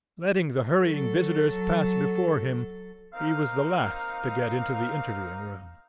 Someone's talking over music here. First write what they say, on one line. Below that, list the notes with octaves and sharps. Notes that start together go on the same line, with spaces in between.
Letting the hurrying visitors pass before him, he was the last to get into the interviewing-room.
F#3 A4
A#3 C4 D#4 F5